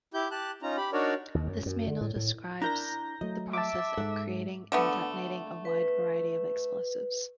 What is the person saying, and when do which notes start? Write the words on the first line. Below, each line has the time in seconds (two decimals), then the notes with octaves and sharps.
This manual describes the process of creating and detonating a wide variety of explosives.
0.14 E4 G4 G6
0.31 G4 A5 F#6
0.62 C#4 D#4 F4 A#5
0.77 G4 B5
0.93 D4 D#4 F#4 A#4 C#5 D5
1.35 D#2
1.47 F#2
1.66 F#2
1.87 D3
2.01 A2
2.16 A2
2.62 D4 E4 A#4 A#5 G6 A#6
3.21 F#3 A3 D#5
3.53 E5 A5 D6
3.97 G#2 A4 F#5
4.72 D3 A3 B3
5.65 B4